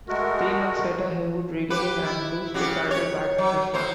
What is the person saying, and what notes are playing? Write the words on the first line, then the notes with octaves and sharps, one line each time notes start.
Three months later, he would regain and lose the title back to Storm.
G#3 A3 F#4 A#4
G4 B4
E4
C#3 F#4 G4
C#5
F#3
A2 F#3 C5